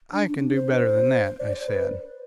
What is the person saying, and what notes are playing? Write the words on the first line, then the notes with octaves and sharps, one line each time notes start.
"I can do better than that," I said.
D4
D4
C4
D4
C5
C5
D5
C5
B4